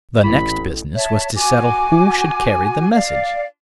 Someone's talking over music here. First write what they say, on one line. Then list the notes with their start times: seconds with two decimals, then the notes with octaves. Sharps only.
The next business was to settle who should carry the message.
0.24 A1 E4 B5
0.95 C#5 E5 A5
1.36 F#4 G#5 D6
2.93 D5 F5